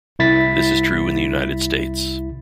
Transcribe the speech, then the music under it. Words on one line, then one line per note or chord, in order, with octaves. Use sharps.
This is true in the United States.
C2 E4 A6 B6